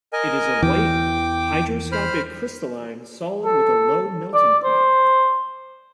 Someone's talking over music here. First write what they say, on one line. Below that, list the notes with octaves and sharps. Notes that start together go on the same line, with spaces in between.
It is a white, hygroscopic crystalline solid with a low melting point.
A#4 D#5 G#5
E2 E3 G5 D6
C5 B5 F6
A4
D5
C5